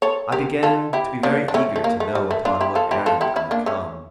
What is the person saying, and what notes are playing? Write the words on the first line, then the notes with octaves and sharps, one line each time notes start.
I began to be very eager to know upon what errand he had come.
A4 C#5
G4 A#4
F4 A4
E4 G4
A#3 D4
D4
A3 C#4
A3
A#3
A3
G3
A3
D4 F4
E4 G4
F4 A4
E4 G4
F4 A4
E4 G4
C#4 E4
A#3 D4
A3 C#4